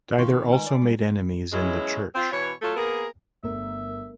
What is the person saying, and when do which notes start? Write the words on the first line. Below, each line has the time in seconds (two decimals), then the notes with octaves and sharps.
Diether also made enemies in the church.
0.18 D#3 A#3 F4 C6 C#6
0.37 C4
0.53 G#3 B4 G#5 A#5
0.66 D5
0.82 G3
1.52 B2 F#3 G#3 C#4 E4
2.15 C4 F4
2.32 B2 E3 C#5
2.62 F#3 A3 F4 A4
2.76 A#3 B3 G#4 A#4
3.43 G1 A3 A#4 E5